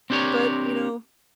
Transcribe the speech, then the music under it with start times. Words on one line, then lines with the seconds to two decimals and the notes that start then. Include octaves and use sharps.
But, you know,
0.10 C4 D4 G4 A#4 C#5